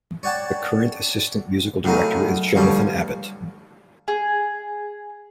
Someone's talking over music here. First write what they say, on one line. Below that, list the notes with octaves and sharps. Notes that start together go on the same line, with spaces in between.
The current assistant musical director is Jonathan Abbott.
C#5 D5 F#5 G5 A5
F#2 A2 C#3 F#3 D#4 A#4
D2 G2 F3 G3 C#5
G#4